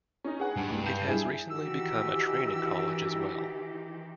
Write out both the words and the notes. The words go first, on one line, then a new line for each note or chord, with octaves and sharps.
It has recently become a training college as well.
C#4 D#4
G#4 B4 F#5
G2
C2 G#2
G6 C7
E4 G#4 E5
D#3 E3 F#4 G4 E6